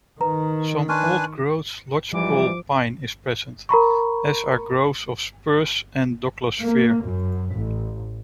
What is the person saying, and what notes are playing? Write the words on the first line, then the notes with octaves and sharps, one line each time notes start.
Some old-growth lodgepole pine is present, as are groves of spruce and douglas-fir.
D#3 B4 A#5
D4 B4 G#5 C6 C#6 F6
G#2 E3 F3 G3 D6
A#4 A#5 B5 C#6
A#3
F#2
A1